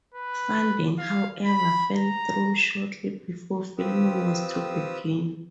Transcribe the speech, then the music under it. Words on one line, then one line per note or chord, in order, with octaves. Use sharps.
Funding however fell through shortly before filming was to begin.
B4
F5
B5
A#5
C4 F4 G4 B4 D#6 E6